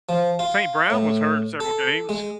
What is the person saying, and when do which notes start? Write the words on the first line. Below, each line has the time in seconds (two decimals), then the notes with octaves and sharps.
St. Brown was hurt in several games.
0.09 F3
0.39 F4
0.90 A2
1.60 A4
2.09 G#3